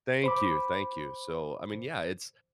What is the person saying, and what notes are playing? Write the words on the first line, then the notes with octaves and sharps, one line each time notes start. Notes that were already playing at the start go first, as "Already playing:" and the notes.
Thank you, thank you, so, I mean, yeah, it's
C5 B5 D6